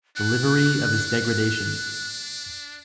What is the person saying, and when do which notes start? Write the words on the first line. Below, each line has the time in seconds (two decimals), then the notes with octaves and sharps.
The livery of his degradation!
0.17 D4 F#6